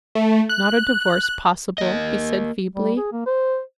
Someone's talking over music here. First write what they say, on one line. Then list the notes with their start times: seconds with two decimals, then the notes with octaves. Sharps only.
"Is not a divorce possible?" he said feebly.
0.15 A3
0.49 F#6
1.78 A#3 D#5
2.76 G3
2.97 G#4
3.13 A#3
3.26 C5